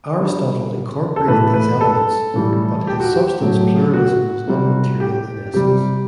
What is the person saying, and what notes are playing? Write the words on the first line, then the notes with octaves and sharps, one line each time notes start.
Aristotle incorporated these elements, but his substance pluralism was not material in essence.
D3 G3
A4
A2 E3 A3 B4
B4
A4
A2 E3 G3
G4
F#4
G4
A2 F#3 A3
F#4
C3 G3
G4
C3 G3 G4